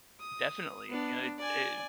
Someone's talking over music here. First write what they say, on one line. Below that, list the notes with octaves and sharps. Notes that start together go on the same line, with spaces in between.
Definitely. You know, it it
D#6
B3 D4
D5 G#5